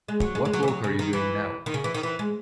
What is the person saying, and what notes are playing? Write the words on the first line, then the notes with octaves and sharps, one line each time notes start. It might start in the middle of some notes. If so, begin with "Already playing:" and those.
What work are you doing now?
G#3
F#3
G#3
G#3
F#3
E3
F#3
C#3
D#3
E3
D#3
C#3
E3
D#3
E3
G#3